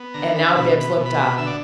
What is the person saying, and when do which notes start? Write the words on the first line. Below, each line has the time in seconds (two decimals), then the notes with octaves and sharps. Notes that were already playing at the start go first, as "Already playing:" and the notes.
And now Bibbs looked up.
Already playing: B3
0.14 D3 A#5
0.36 B5
0.55 B2 B5
0.80 B5
0.96 B2
1.06 B5
1.38 D3 E5
1.47 D5